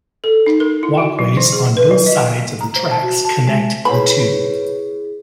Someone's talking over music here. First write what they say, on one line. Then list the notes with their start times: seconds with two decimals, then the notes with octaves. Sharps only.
Walkways on both sides of the tracks connect the two.
0.24 A4
0.46 D#4
0.60 A#4
0.83 E4
0.98 F#4
1.19 F#3
1.37 E3
1.53 G#4
1.77 B4
1.91 F#3
2.06 D#5
2.61 A#5
2.76 C5
2.91 A5
3.03 F#4
3.25 A5
3.47 G#3
3.85 E4 G#4 B4 C#5 B5